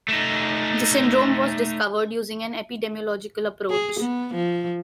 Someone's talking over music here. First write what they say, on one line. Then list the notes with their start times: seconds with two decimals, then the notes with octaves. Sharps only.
The syndrome was discovered using an epidemiological approach.
0.08 A3 D#4
3.70 G#4
4.00 B3
4.34 F3